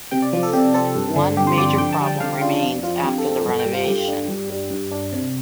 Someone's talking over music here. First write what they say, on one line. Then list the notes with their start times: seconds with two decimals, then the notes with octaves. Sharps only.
One major problem remains after the renovation.
0.11 C3 G5
0.22 D5
0.33 F3
0.43 A4
0.53 C3 G4
0.74 C4 A4
0.95 G2
1.16 D3
1.37 G2 G4
1.47 C5
1.57 F3 D5
1.78 D3 G5
1.93 A5
2.00 G3
2.06 G5
2.20 D3 F5
2.41 D4 F4
2.62 F2
2.83 F3 F4
3.04 F2 G4
3.18 A4
3.24 C4
3.32 A4
3.45 G2 A4
3.59 G5
3.66 G3
3.73 F4
3.87 G2 G4
4.08 D4
4.28 G2
4.50 G3
4.70 G2
4.91 D4
5.13 C3